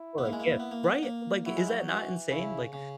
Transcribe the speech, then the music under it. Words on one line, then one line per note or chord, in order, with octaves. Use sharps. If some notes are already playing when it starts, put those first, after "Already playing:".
For a gift right, like, is that not insane? Like,
Already playing: E4
B3
A#3
G#3
A#3
B3
A#3
B3
A#3
F#3 E4
G#3
F#3
E3 F#4
C#3 E4
C#3